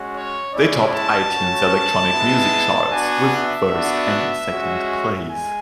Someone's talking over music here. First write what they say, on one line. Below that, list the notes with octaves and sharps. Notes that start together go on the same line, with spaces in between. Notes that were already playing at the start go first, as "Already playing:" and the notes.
They topped iTunes electronic music charts with first and second place.
Already playing: G#3 C#4 F#4
C#5
G#3 C#4 E4 D5
A5
A3 C#4 F#4
G#3 B3 E4
B3 D4 F#4 G#5
E5
B3 D4 F#4
G#3 C#4 F#4
G#3 G#5